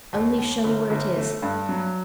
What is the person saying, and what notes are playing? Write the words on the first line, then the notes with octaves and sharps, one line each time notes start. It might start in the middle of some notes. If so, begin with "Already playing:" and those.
'Only show me where it is.
D#2
D#2
G1
G1
A3
G2
F#3